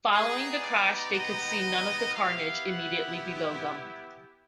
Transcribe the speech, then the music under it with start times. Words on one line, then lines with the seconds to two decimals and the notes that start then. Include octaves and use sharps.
Following the crash, they could see none of the carnage immediately below them.
0.12 B3 D#4 G4 G#4
0.62 D5
1.13 D#5
2.15 B3 E4 G4 F5
2.67 F#5